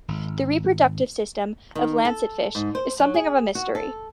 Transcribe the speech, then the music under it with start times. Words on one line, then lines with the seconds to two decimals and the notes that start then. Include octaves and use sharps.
The reproductive system of lancetfish is something of a mystery.
0.08 G#1
1.75 D#3
2.05 A4
2.55 G#2
2.75 C5
3.00 F#3
3.14 G#4
3.55 F#4
3.75 A4